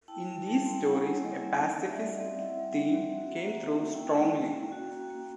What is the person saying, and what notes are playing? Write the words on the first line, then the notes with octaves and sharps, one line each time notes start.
In these stories a pacifist theme came through strongly.
E4 G5 A5
G3
G3 G5 A5
C4
E4 F#5 G#5
A#3
A#3 C#5 D#5
C#4
D#4
G3
D5 E5
G3
D#5 F5
C4
E4 E5 F#5
G3
G3
C4
F#4
A#3
A#3
C#4
E4 F5 G5
G#3
G#3
C#4
F#4
A#3
A#3